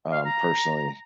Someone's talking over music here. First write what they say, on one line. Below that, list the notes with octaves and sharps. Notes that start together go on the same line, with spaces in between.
um, personally
F5
A#5